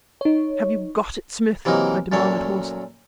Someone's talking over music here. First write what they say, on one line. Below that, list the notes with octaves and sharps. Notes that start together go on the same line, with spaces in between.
"Have you got it, Smith?" I demanded hoarsely.
D#4 C#5
C3 E3 F#3 A#3 D#4
F#2 A#2 A3 C#5